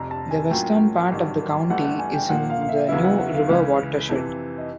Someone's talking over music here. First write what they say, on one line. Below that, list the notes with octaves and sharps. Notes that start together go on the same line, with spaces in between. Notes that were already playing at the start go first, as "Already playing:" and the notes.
The western part of the county is in the New River watershed.
Already playing: F1 F2 C3 A#5
A5
G#5
A2 F#3 A#3 C#4 F4 G5
G#1 G2 D#3 F#3
G1 G2 E3 A3 F#5
F#5
G#5
G5
A#2 F3 A#3 F#5
F5
F5
E5
E2 C#3 F#3 B3 E4 F5
F#5
F#5
F5
C#2 C#3 E3 F5
F2 C3 E3
D#5